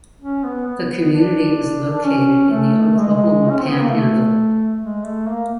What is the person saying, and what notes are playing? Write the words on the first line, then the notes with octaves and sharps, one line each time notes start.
The community is located in the Oklahoma Panhandle.
C#4
B3
B3
B3
D4
D4
C#4
A3
G#3
C#4
C4
B3
A#3
A3
G#3
A3
A#3